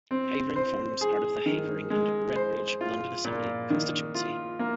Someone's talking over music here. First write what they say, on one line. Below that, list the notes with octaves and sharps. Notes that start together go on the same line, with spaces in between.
Havering forms part of the Havering and Redbridge London Assembly constituency.
C4
C5
G#4
D#3
G#3
C5
F4
A#2
D#3
F4
A#3